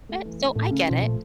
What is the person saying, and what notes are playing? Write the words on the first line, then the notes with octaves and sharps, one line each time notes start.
eh, so I get it,
A3
E3
A3
A2 A3
C#3
B2 F3
A#2 A3